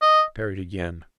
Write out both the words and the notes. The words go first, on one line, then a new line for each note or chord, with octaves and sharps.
Parried again.
D#5